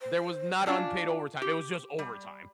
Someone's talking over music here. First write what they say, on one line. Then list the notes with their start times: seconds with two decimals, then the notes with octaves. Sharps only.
There was not unpaid overtime, it was just overtime.
0.01 C5
0.66 C#4 D4 F4 D5
1.42 G4
1.99 G3